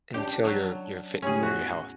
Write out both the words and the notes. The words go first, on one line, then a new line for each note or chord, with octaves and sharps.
Until you're you're fit for your health.
C#4 D4 G4 A5
F#3
A2 C#4 G4 G#4 D#7
E2 F#4